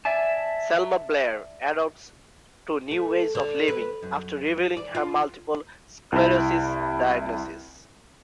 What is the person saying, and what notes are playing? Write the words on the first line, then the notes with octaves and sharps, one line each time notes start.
Selma Blair adapts to new ways of living after revealing her multiple sclerosis diagnosis.
D5 E5 G#5 A5
A3
D3
B4
F#2
D5
F4
C2 E4